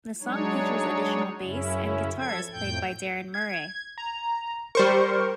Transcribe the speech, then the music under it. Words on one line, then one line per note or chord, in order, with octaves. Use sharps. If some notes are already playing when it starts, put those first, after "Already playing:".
The song features additional bass and guitars played by Darren Murray.
F#3 G#3 D4 D#4 C#5
F#2 C#3 C#4 E4
F3 A4 G#6
F2 A2 G5 G6
G#6
A#5
G3 A#4 C5 C#6